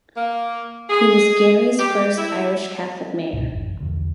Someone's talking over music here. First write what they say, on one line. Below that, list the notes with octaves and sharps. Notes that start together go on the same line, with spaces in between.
He was Gary's first Irish Catholic mayor.
A#3
G#4
G4
E4
C#2 G#2 B2 D4
A1 F#2
B1 E2 D3 F3